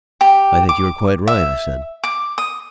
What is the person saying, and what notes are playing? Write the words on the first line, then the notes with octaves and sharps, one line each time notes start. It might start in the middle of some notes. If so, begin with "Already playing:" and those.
"I think you are quite right," I said.
G4
D6
E5
D6
D#6